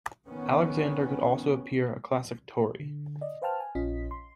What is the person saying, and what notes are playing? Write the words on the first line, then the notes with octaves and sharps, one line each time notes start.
Alexander could also appear a classic Tory.
D#3 B3 C#4
D3
D5 D#5
B4 C5 F5 G5 A5 F6
G#5
A#1 C#4 F4 D#5 B6
C6